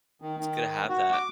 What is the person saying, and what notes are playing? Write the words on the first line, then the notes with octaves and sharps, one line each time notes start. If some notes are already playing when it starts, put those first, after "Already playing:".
It's good to have that.
D#3
D#3
F#4
D6